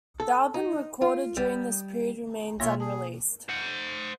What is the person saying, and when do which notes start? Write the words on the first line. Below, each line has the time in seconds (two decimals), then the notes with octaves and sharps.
The album recorded during this period remains unreleased.
0.20 A4
0.54 D#4
1.02 F4
1.37 G3
2.60 B2 A#3 F4 C#5 E5
2.80 G#4 A5
3.49 C5 F#5